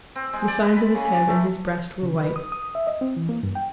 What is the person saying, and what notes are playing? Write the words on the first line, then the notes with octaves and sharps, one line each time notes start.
The sides of his head and his breast were white.
C4
G#3
D5
B4
B5
C#3
D5
A3
C#3
B4
D#6
D#6
E5
D#5
C4
E3
A#3
G2
G5